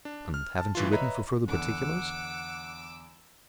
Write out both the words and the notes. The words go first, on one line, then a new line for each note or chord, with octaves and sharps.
"And haven't you written for further particulars?"
D4
F6
A5
A2 E3 F4
B4 C#5 D#5 E5 A#5 B5
E2 D3 F#5 D6 E6